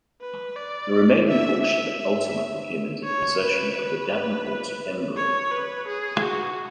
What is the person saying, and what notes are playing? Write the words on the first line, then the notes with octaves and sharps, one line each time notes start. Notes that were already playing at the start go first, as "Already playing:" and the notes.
The remaining portion ultimately came into the possession of the Davenports of Henbury.
B4
D5
E5
E5
E5
C#5
B4
B4
C#5
B4
G#4
F#4